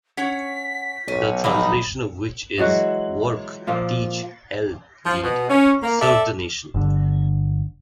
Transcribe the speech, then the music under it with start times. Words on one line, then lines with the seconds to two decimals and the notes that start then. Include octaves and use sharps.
The translation of which is Work, Teach, Help, Lead - Serve the Nation.
0.17 C#4 C#5 F#5 B6
1.08 B1 C#4
1.44 F3 G3 D#4 B5
2.58 E3 F#3 G#3 F#4
3.67 A#2 F3 A#3 F4
5.06 F3
5.23 B2
5.50 C#4
5.82 A#3
6.00 A4 D5 E5
6.74 G1 D3